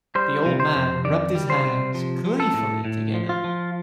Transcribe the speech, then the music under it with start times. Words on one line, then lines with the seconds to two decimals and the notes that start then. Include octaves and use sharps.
The old man rubbed his hands gleefully together.
0.15 G3 C5
0.46 C3
0.60 C5
0.75 F2
1.05 D#3 D5
1.35 G3
1.50 C5
1.65 C3
1.94 F3
2.25 F3
2.40 A4
2.54 A2
2.85 A2
3.14 F3
3.29 F4
3.44 F3